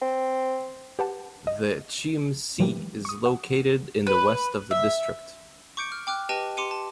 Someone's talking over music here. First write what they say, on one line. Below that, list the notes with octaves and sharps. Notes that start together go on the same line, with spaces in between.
The Chiemsee is located in the west of the district.
C4
G4 B4 F#5 A5
D#5
A#2 E3 F#3 G#3 A#3 G4
C#6 D#6
F#5
B4
E5
C#6 D6 G6 C#7 D7
F6
G5 D6 F6 F#6
G4 B4 D#5 G5 A5 D#7
G4 C6 D6 C#7 D#7
A5